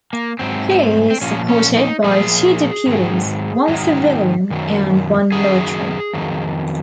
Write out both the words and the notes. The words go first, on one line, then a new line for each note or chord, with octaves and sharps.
He is supported by two deputies - one civilian and one military.
A#3
G#2 F#3 C4
C4
A#2 F3 C#4
C#4
D#4
A#2 F3 G#4
G#2 D#3 F#3
G#2 D#3 F#3
F#2 D#3 F#3
F#2 D#3 F#3 G#4
F2 D#3 F#3